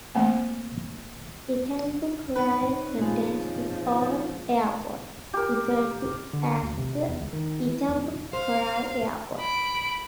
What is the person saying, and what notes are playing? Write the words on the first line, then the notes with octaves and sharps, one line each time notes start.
Itambacuri contains its own airport, referred to as the 'Itambacuri airport'.
E3 A3 A#3 C4
C4 D#4 B4 C#5
A#2 F3 G#3
G4 A#4
D3
D2
C3
E2
C#2
D#3
E3
E2
C5 F5
B5 D7